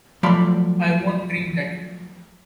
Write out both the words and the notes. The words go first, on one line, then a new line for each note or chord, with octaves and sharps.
I won’t drink that.
F3 F#3 A3 D5 B5 C6